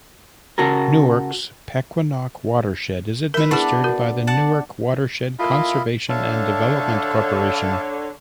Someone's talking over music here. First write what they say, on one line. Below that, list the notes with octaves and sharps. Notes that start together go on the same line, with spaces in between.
Newark's Pequannock Watershed is administered by the Newark Watershed Conservation and Development Corporation.
C#3 F#4 A4 A#4
A#4 B4 E5
B3 D4 E4 G#4 D5
F#4 A#4
D5 F#5 A5
A3 A#3 E4 F4 D#5 B5
D3 C#5 E5 F5 A5